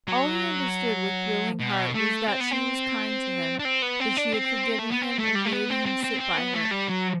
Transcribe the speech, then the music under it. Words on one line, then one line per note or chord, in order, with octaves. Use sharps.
All he understood, with thrilling heart, was that she was kind to him, that she had forgiven him, and made him sit by her.
F#3
B2
A3
C4
B3
C4
D4
C4
B3
C4
D4
C4
A3
B3
C4
A3
G3
A3
B3
C4
C4
C4
C4
B3
A3
G3
F#3